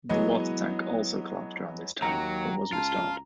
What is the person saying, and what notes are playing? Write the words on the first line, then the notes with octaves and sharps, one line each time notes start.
The water tank also collapsed around this time but was restored.
E3 F#3 G#3 B3 D#5
D#2 F#3 G5 A#5
C#2 F4 A5